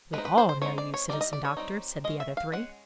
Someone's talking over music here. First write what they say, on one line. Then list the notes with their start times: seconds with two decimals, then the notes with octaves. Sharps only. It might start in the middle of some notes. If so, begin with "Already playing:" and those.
"We all know you, Citizen Doctor," said the other three.
0.13 G#3 C4 D#4 B4
0.25 B4
0.38 C5
0.49 C5
0.62 G#3 C4 D#4 C#5
0.78 D5
0.94 C#5
1.09 G3 C4 D#4 D5
1.21 D#5
1.33 D5
1.45 C#5
1.57 G3 C4 D#4
2.04 G#3 C#4 D#5
2.20 E5
2.37 F5
2.52 G#3 C#4 F#5